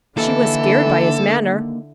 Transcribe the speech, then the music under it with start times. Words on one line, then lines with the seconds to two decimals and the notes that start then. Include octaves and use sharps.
She was scared by his manner.
0.18 D#2 D3 E3 A4